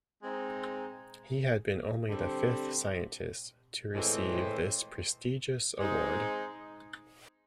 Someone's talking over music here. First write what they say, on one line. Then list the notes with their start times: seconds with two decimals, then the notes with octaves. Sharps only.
He had been only the fifth scientist to receive this prestigious award.
0.21 G#3 C4 D#4
2.07 D3 G3 C4
3.93 A2 E3 G#3 C4
5.79 G#3 C4 D#4